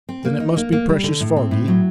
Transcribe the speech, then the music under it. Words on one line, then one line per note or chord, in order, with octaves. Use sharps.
Then it must be precious foggy?'
C4
A#3
D#4
A#3
A#3
G3
D3
A2
C4
A2
F#3